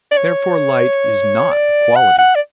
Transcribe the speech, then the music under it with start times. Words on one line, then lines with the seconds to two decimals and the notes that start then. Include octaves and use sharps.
Therefore light is not a quality.
0.11 D5
0.17 C#5
1.51 D5
1.96 F#5
2.18 F#5
2.35 D5